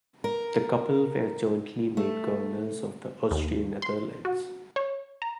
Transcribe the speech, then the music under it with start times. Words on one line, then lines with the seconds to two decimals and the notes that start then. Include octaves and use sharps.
The couple were jointly made Governors of the Austrian Netherlands.
0.24 A#4
1.97 A3
3.31 D#2
3.82 C6
4.25 F#4
4.76 C#5
5.22 A#5